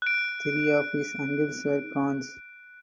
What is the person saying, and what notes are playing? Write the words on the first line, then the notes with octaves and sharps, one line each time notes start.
Three of his uncles were khans.
F#6 D7